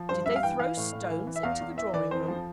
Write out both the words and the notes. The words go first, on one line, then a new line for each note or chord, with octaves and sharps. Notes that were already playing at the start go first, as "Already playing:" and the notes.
Did they throw stones into the drawing-room?'
Already playing: F3
G2 C5
G2 E5
F5
E3 G5
E3 F5
A2
A2
E3
E3
E5
E2 F5
E2
E3 E5
E3 D5
F2 C5
F3